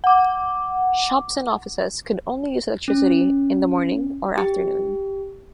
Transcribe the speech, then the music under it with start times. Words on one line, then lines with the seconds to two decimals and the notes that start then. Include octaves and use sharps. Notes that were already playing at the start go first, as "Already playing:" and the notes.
Shops and offices could only use electricity in the morning or afternoon.
0.04 F#5 D6
2.88 C#4
4.38 G4